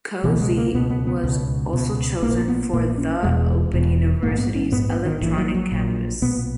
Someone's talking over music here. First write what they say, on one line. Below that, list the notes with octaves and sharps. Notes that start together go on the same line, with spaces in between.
CoSy was also chosen for The Open University's "electronic campus".
C#2 B2 E3
G#3
A#3
C#2 B2 B3
B3
B3
C#2 B2
C#2 B2
A#1 A#2 A#3
B3
A#1 A#2 A#3
C#4
E1 E2 B2 G#3
E1 E2 B2
A#1 G#2 A#3
B3
C#4
A#1 G#2 B3
B3
D#3
A#1 A#2 E3
F#3
F#3
A#1 A#2
B1 A#2 B3